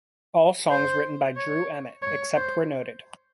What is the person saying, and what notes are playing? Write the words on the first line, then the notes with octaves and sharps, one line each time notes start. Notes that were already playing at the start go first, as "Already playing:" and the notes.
All songs written by Drew Emmitt, except where noted.
C5
C#5
C#5
C5